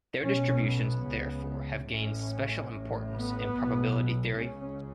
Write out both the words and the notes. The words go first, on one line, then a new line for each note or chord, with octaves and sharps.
Their distributions therefore have gained "special importance" in probability theory.
B1 B2 C#4
B3
C#2 C#3
A1 A2 C#4
A1 A2
B3
B1 B2
C#2 C#3 C#4